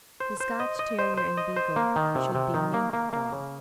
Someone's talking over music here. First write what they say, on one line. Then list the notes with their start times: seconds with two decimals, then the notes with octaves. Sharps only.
The Scotch Terrier and Beagle should be mink dog.
0.20 C5
0.40 C5
0.60 D#5
0.79 D#5
0.99 C5
1.17 C5
1.37 D#5
1.56 C5
1.76 A#3
1.96 D#3
2.15 C3
2.35 C3
2.54 D#3
2.74 A#3
2.93 A#3
3.13 A#3
3.32 C#3